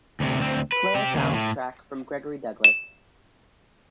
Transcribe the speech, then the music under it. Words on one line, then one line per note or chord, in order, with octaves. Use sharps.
Play a sound track from Gregory Douglass.
D2 C3
D2 C4
B4
C4 G4
D#2 C#3
A2
E7